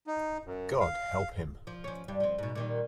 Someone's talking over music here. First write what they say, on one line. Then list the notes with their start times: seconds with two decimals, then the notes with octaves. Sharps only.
God help him!
0.07 D#4
0.45 F#2
0.80 F5
1.67 F3
1.84 F3 C#4
2.08 G2 G3
2.20 F3 C4
2.38 G#2 B2
2.55 A#2 D#3 G3